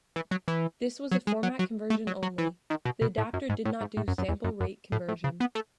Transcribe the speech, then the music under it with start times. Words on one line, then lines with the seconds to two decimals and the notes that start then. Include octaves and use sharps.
This was a format conversion only, the adapter did not do sample rate conversion.
0.16 E3
0.31 F#3
0.48 E3
1.11 F#3
1.27 G#3
1.43 F#3
1.59 F#3
1.90 A3
2.07 F#3
2.23 F#3
2.38 E3
2.70 D#3
2.85 B2
3.01 B2
3.18 A2
3.33 F#2
3.49 G#2
3.65 A2
3.81 G#2
3.97 A2
4.08 F#2
4.18 F#2
4.29 E2
4.44 F#2
4.60 F#2
4.92 A2
5.08 A2
5.24 C#3
5.40 B3
5.55 A3